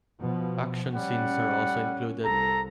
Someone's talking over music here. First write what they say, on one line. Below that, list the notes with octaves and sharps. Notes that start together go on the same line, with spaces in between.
Action scenes are also included.
B2 F3
G3 C#4 F#5
C2 A4 A#5